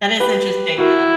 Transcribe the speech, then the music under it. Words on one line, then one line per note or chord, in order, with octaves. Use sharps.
that is interesting, though.
G4 B4
E4 F#4 A#4